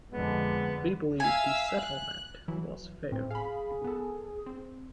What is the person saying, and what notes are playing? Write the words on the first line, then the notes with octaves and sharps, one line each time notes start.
We believe the settlement was fair.
F2 D3 G#3 B3
E5 F5 G#5 E6
F#6
E3 F#3
A2 C4
G#4 F5 B5
B3 A4
C4